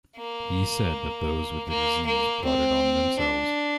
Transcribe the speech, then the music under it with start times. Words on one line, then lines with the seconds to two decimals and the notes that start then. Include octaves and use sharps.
He said that those with the disease brought it on themselves.
0.17 A#3
1.68 A#3
2.06 A#3
2.44 C4
3.19 D4